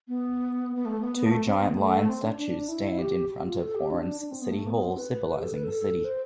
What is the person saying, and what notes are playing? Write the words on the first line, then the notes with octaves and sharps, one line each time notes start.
Two giant lion statues stand in front of Oran's city hall, symbolizing the city.
B3
B3
A3
B3
B3
A3
C4
B3
A3
C4
D4
D4
D4
E4
G4
G4
F4
A4
G4
D4
D4
C4
B3
A3
B3
C4
B4
B4
B4
G4
A4
B4
A4
A4
C5